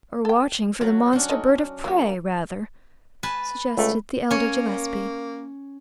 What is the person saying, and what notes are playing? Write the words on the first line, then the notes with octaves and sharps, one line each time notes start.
"Or watching for the monster bird of prey, rather," suggested the elder Gillespie.
A4 G5
F#3 F4
C#4 D4
D#4 A4 D#5
F#3 A#3 G4
B4 G#5 A5
C#2 A3
A#3 C#4 C#5